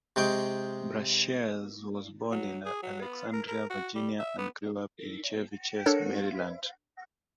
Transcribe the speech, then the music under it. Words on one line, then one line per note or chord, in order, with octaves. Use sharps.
Brashares was born in Alexandria, Virginia and grew up in Chevy Chase, Maryland.
C3 G#3 G5 C#6
F#3
G#4
F#3
B3
A#4
A#4
F#4
G3
E5
B3
D4 A4 A#4 C#5